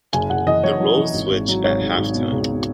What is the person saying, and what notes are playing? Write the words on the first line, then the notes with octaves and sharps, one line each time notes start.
The roles switch at half time.
F#1 G#5
F#1 F#5
E3 D#5
F#2 C#5
F#2
E3
G#1
G#1
F#3
G#1 C#5
G#1
G#1
B2
C#2
B2